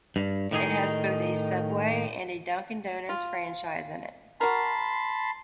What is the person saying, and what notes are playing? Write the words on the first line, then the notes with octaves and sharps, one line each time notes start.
It has both a Subway and a Dunkin' Donuts franchise in it.
G2
A2 D#3 D#4 G#4
F4
F#4 A#4 A5 B5 C6